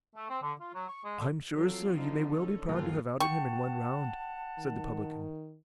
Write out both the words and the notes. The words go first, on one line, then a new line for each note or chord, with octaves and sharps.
"I'm sure, sir, you may well be proud to have outed him in one round," said the publican.
A3
C4
D3
F4
F#3
C#6
G#3
D3
F3 F#3 C4 F4 A4
D3 D#4
C#4 D#4 A4
G1 D#2 F#3 F4 G#4
F#5 G5 A5 C#6
D#3